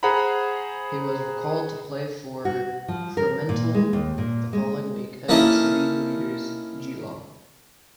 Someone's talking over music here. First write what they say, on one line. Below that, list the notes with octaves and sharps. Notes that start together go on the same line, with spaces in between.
He was recalled to play for Fremantle the following week against league leaders Geelong.
G#4 C5 F#5 A#5 B5
F#4
F3
A#4
A#2
G#3
D#2
A#2
G#3
A#3 C#4 D#4 E4 A4 A#4